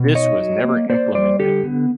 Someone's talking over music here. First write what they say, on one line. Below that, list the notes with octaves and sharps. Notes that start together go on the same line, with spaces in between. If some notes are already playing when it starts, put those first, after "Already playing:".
This was never implemented.
Already playing: B2
D#4 C#5 D#5
F#3
A#3
A#3 C5 D5
G3 C5 D5
D3 G4 A4
B3